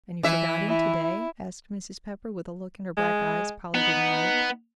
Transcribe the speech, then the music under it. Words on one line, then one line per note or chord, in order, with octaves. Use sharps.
"And you forgot him to-day?" asked Mrs. Pepper, with a look in her black eyes Polly didn't like.
E3 E5
E4
G#3
B3 D#4